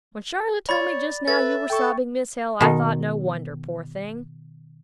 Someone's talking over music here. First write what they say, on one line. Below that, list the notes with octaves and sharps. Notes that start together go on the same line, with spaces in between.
When Charlotte told me just now you were sobbing, Miss Hale, I thought, no wonder, poor thing!
C#5 D5 B5 A6
A4 B4 E5 A6
A4 G5 C#6
B2 D#3